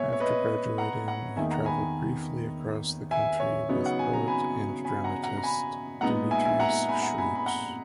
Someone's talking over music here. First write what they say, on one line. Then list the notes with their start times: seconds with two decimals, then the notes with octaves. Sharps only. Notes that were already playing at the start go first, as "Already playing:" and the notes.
After graduating, he travelled briefly across the country with poet and dramatist Demetrius Schrutz.
Already playing: A#2 G#3 B3 C#5 E5 G#5
0.13 C#5
0.20 B4 D#5
0.78 F#5 A#5
1.08 F#5 A#5
1.36 E2 D#3 A#3 D#4 E5 G#5
1.51 F#5 A#5
1.65 G#5 B5
3.11 E5 G#5
3.40 C#5
3.69 C#3 F#3 B3 D#4 C#5
3.86 F#5
3.99 G#5
4.13 A#5
4.27 G#5 B5
4.85 G#5 B5
5.04 F#5 A#5
5.23 F#5 A#5
5.37 A#5
5.43 G#5 B5
6.01 A#2 G#3 B3 D#4 F#5 A#5
6.31 E5 G#5
6.45 E5 G#5
6.60 F#5 A#5
6.88 G#5 B5
7.03 F#5 A#5
7.18 G#5 B5
7.35 B5
7.46 F#5 A#5